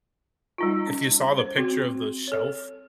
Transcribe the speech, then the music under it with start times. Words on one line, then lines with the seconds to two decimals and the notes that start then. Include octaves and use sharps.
if you saw the picture of the shelf
0.58 G3 D#4 F4
0.87 C#4
1.39 C5
1.57 C4 F#4 C6
2.27 A4 C#5